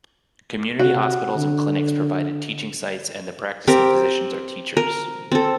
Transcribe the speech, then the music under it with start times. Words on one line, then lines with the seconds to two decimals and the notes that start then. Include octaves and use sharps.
Community hospitals and clinics provide teaching sites and the practicing physicians are teachers.
0.79 C3 F#4
1.36 D3
3.67 C4 G4 A#4
4.77 A#4
5.32 C4 A4